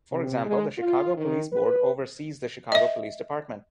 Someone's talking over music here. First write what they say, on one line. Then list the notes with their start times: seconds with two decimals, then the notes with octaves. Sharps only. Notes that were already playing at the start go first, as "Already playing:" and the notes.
For example, the Chicago Police Board oversees the Chicago Police Department.
0.12 C3
0.45 G#3
0.78 F4
1.17 D#3
1.52 B4
2.72 D#5 E5